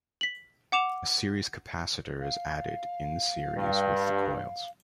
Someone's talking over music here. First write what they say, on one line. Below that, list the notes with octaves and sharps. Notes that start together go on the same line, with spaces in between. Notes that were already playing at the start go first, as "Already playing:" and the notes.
A series capacitor is added in series with the coils.
B6 F#7
F#5 D6 E7 F7
F5
G2